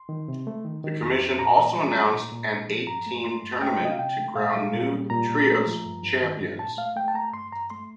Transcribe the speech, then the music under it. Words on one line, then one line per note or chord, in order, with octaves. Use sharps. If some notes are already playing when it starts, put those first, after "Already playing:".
The Commission also announced an eight team tournament to crown new trios champions.
Already playing: C6
D#3
C3
A3
D#3
D#3
F2
F2
A#2 A#5
A#2
G3
G3
A#2
A#2
A#2
F3
G2 A#5
A3
A3 C6
G2
A3 G5
C3 D#5
F5
C3 G5
A3
A#2 F5
G3
A#2
G3
A#2 A#5
A#2
A3
F3
G2
G2
D#3
G2
A#2 A5
A3 F5
A3 G5
A5
A3 A#5
G2 C6
G2 A#5
A3 C6